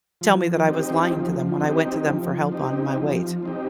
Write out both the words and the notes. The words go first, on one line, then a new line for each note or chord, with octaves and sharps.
tell me that I was lying to them when I went to them for help on my weight.
F3
C4 D#4 G4
F3
C4 D#4 G4
F3
C4 D#4 G4
F3
C4 D#4 G4